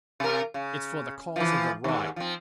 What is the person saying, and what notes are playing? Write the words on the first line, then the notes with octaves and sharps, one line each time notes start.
It's for the cause of the right.'
C3 A#4
C#3
E3 F3
D#2 G#2
F3 C4